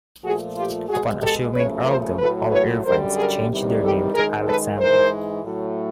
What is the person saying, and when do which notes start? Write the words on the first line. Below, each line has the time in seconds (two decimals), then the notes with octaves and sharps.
Upon assuming the Earldom all Irvines changed their name to Alexander.
0.23 A#2 F3 A3 F#4 G#4
0.56 F4 G4
0.89 B2 G#3 F#4 G#4
1.21 G4 A4
1.54 F#2 C#3 F3 A3 B4 C#5
1.86 A#4 C5
2.18 A2 F#3 A3 A4 B4
2.51 B4 C#5
2.84 F#2 D3 G3 A#4 C5
3.16 G#4 A#4
3.49 E2 C3 D#3 G3
3.81 G4 A4
4.13 F#2 D#3 G#3 G#4 A#4
4.46 A4 B4
4.78 G#2 E3 G#3 A#4 C5
5.43 A2 F#3 A3